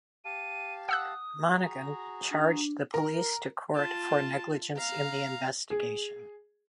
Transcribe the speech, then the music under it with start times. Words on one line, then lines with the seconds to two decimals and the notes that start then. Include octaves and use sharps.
Monaghan charged the police to court for negligence in the investigation.
0.25 G4 F5 A5 D#7
0.89 F#5 D#6 E6 F#6
1.53 F#4 G#4 A#5
2.31 D4 A#5
2.94 A#4
3.74 F4 A5
4.76 F5 A#5
5.70 G#4